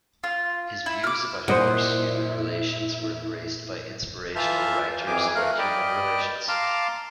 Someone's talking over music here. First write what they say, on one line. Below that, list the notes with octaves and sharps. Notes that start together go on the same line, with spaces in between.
His views about horse-human relations were embraced by inspirational writers about human relations.
F4
E4
D6 F6
A#2 E4 C5 D#5 F#5
E3 F4 E5 A5 F6 G6
F2 E3 G#4 G#5 D6
A3 A#4 F5 F#6
D5 D#5 G5 B5
F5 A5 A#5 C6 D6 F6